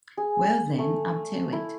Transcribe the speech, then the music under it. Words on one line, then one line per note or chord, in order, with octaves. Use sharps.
Well then, I’ll tell it.
G#4
A3
E4